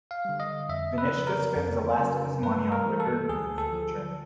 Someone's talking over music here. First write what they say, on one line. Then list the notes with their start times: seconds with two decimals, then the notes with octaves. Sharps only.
Venichka spends the last of his money on liquor and food for the journey.
0.11 F5
0.25 D3 G3
0.40 D#5
0.69 F2 E5
0.98 B4
1.13 C#3 F3
1.27 A#4
1.56 F2
1.99 C#3 F#3
2.42 G2 B4
2.72 A#4
2.86 E3
2.91 G3
3.00 A4
3.29 D2 G#4
3.58 A4
3.73 D3 F3